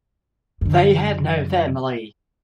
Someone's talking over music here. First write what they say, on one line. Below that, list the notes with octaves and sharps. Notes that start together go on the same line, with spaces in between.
They had no family.
F#2 D3